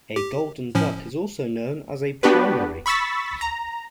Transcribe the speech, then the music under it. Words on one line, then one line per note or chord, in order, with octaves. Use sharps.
A "golden duck" is also known as a "primary".
G4
A2 F3 C#4
B3 D4 F#4 G4 B4
B5 C#6 E6 A6 B6
A#5